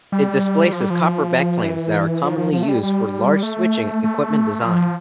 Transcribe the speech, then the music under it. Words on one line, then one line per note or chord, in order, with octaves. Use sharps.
It displaces copper backplanes that are commonly used for large switching equipment design.
G3
F3
G3
F3
E3
F3
F3
F3
A3
G3
G3
A3
A3
F3